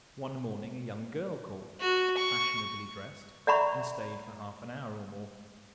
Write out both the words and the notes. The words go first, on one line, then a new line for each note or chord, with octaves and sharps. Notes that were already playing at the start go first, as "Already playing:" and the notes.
One morning a young girl called, fashionably dressed, and stayed for half an hour or more.
F#4
C#6
D5 E5 F#5 A#5 B5 C#6